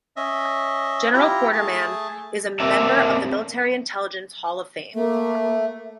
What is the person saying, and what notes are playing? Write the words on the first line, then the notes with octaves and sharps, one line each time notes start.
General Corderman is a member of the Military Intelligence Hall of Fame.
C#4 D#5 E5
E4 F4 G4 A#5
A3 G#4 A5
A#3 C4 A4 A#4 D5 E5
A3 A#3